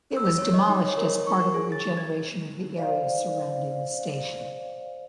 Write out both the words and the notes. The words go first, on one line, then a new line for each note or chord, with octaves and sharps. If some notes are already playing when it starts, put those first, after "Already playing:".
It was demolished as part of a regeneration of the area surrounding the station.
E6
C#5
D#5
D#4
C#5
A#4
C#6
A#4
G#4
A6
G#6
C5 D5 F5